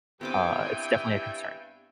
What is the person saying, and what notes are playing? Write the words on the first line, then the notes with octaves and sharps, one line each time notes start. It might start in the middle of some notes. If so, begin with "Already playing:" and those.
uh, it's definitely a concern.
G2 B3 C4 E4 G5 G#5 D6